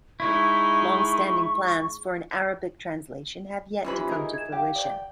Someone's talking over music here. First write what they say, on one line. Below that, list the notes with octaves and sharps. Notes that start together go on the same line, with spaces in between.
Long-standing plans for an Arabic translation have yet to come to fruition.
G#3 D#4 E4 C#6
E3 F#3 C#4 F4 G4 C5 B5
D#4 G#4 A#4
G#6 E7
G4 F5 F#5
D5 G5